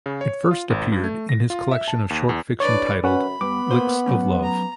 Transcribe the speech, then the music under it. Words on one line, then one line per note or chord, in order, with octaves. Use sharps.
It first appeared in his collection of short fiction titled "Licks of Love".
C#3
C#5
F4
G#1
G2
A3
A#6
F4
E5
A5
D#2
E2
A1 D4 B4 C#5 D5
F#2 C#4 B4 F#5 B5
G2 B3 D6
A#3 B4 C5
F#3 A3 C#4
A#5